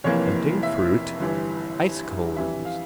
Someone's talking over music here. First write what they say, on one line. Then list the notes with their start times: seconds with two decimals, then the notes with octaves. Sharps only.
Tempting fruit. Ice cones.
0.04 F1 F2 E3 A#3 C#5
0.63 E5
1.20 G1 G2 E3
2.36 F2 E3 G3 E5
2.65 F5